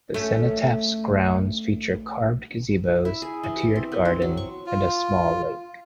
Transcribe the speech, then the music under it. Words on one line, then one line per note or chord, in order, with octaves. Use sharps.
The cenotaph's grounds feature carved gazebos, a tiered garden, and a small lake.
A3 C#4
E4
G#4
E3
G4
C4
B3
C4
F#3
C#6
F4